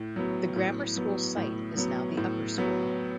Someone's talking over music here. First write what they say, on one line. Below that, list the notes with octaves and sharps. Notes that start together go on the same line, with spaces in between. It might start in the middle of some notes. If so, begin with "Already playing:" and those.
The grammar school site is now the upper school.
Already playing: A2
F#3 B3
A2
F#3 B3
A2
F#3 B3
A2
F#3 B3